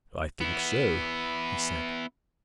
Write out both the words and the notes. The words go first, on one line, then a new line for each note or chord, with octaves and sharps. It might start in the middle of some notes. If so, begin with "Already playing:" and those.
"I think so," he said.
B3 E4